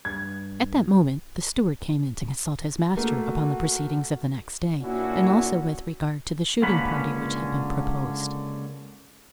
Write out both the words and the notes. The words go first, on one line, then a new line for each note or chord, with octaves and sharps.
At that moment the steward came in to consult his master upon the proceedings of the next day and also with regard to the shooting party which had been proposed.
G2 G#6
A3 A#3 F#4
A#2 C#4 D4 E4 F#4
C#2 D3 A#3 C#4 B4 B5